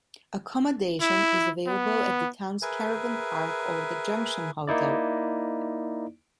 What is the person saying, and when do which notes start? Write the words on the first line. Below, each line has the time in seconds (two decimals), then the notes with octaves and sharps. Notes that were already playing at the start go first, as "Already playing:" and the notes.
Accommodation is available at the town's caravan park or the Junction Hotel.
1.01 E4
1.67 B3
2.62 G#4 A#4 B4 E5 G#5
4.67 A#3 D#4 E4 D5